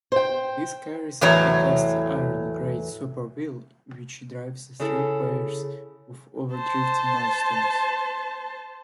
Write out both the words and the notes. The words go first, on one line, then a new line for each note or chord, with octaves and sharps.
This carries a cast-iron Great Spur Wheel which drives three pairs of overdrift millstones.
C5 G5
E2 A2 E3 F#3 C#5 A#5
C#3 E4 A4
C5 A5